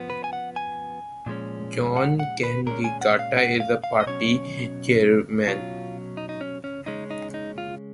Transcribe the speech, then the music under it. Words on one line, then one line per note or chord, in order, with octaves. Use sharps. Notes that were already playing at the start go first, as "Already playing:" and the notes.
John Canegata is the party chairman.
Already playing: F3 B3
B4
G#5
F#5
G#5
A#2 F3 G#3 C#4
F#5
F#5
B4
A#2 G#3 C#4 A#4
G#5
F#5
F5
F#5
F5
F5
D#5
B2 F#3 C#4 C#5
B2 F#3 C#4 F4
D#4
D#4
C#4
C#4
C#3 G#3 C#4 D#4
D#4
D#4
F4